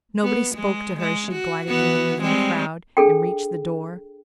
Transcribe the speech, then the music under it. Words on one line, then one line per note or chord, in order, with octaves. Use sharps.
Nobody spoke to her as she glided through the moving crowd and reached the door.
B3
G#3
G#3
F#4
E3 B3 F#4
G3 G#3 C4
D4 G#4 A4 G5